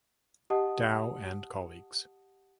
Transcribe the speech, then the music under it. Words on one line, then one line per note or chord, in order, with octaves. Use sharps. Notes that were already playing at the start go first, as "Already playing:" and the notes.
Dow and colleagues.
G4 D#5 F#5 A5 D#6